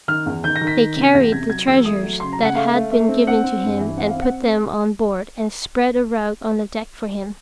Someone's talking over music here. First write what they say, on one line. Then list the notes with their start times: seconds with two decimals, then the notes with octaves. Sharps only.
They carried the treasures that had been given to him and put them on board, and spread a rug on the deck for him.
0.08 D#3 F6
0.26 E2
0.44 D#3 G6
0.56 A#6
0.61 D#3
0.67 B6
0.80 D#3
0.96 C3
1.14 E2 A#6
1.32 C3 G#6
1.50 F#3 G#6
1.67 E2 E6
1.85 A3 D#6
2.03 F#3
2.20 C#3 C6
2.33 A#5
2.38 C#3
2.45 F#5
2.55 A3 F5
2.74 A3
2.91 A3
3.08 C4
3.27 C4 F#5
3.44 C4
3.62 G2
3.80 E3
3.97 C4 F#5
4.09 F5
4.15 C4
4.22 F#5